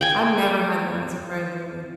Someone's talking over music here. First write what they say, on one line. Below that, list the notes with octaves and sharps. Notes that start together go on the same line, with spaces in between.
I've never had that, surprisingly.
G5 G#5